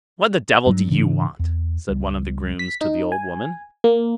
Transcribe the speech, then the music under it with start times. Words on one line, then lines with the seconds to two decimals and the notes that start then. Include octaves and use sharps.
'What the devil do you want?' said one of the grooms to the old woman.
0.66 G2 F#3
0.90 G#2 C#3 E3 D4
1.39 E2
1.88 C#2 G3
2.59 B6
2.81 D#4
3.12 G#5
3.84 A#3